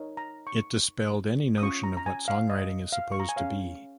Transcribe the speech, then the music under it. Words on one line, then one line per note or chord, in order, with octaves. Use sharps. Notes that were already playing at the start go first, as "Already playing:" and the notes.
It dispelled any notion of what songwriting is supposed to be.
Already playing: D#4 A#4 C#5
A#5
C#6
D#6
C#4 F4 C#5 C#6
A#5
A#5
G#5
F5
D#5
F5
C#6
A#5
G#5
C#4 G#4 C#5 F5